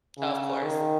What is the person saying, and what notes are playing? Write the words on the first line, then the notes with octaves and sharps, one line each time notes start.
Of course.
C#3
D#3